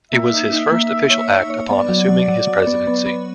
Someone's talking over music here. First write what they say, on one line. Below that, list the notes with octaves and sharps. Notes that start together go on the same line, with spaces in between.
It was his first official act upon assuming his presidency.
A#3 E5
D#4
D#4
A#3
D#4
C#5
C#5
C#5
B3 D5
F#3
F#3
F#3
F#3
B3
B3
B3